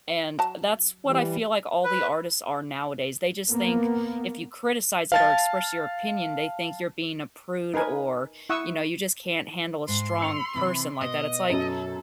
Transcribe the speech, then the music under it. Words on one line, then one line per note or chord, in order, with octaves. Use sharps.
and that's what I feel, like, all the artists are nowadays; they just think if you criticize it or express your opinion, they think you're being a prude or, you know, you just can't handle a strong person like that. It's like,
F#3 A5
E3 G3
B4
A#3 B3
F5 A5 A6
D#4 A#4 B4 G#5
E4 F#5 C#6 D#6 E6
G#2 C6
E6 C#7 F7
C3 E3 C4
B2 D#5
F#2 F#3 A4